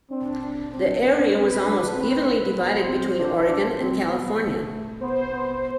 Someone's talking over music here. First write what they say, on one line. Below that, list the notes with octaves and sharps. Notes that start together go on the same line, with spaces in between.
The area was almost evenly divided between Oregon and California.
C4 D4
C4
B3
C4 B4
D4
C4
B3 C5
C4
D4
D4
C4
B3
A3
B3 C5
B3